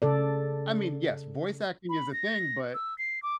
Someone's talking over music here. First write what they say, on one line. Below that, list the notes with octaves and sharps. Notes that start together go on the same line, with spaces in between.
I mean, yes, voice acting is a thing, but
C#3 A4 D5
B5
A#6
E6
C7
D6